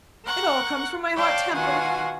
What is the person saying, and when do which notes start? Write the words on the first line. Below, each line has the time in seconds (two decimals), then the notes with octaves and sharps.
'It all comes from my hot temper!
0.25 A#4 F#5 C#6 F#6
1.14 C#5 D5 F5 G5 A5 D6
1.53 B2 D#3 F4 F#4 F#5 G#5